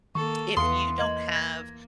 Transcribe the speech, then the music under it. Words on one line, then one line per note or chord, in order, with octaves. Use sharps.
If you don't have
D#3 A#3 A4 C#6
E2 E3 B3 F5 C6 D#6 C#7
A#3 D#5 G#6 F#7
G#6 A#6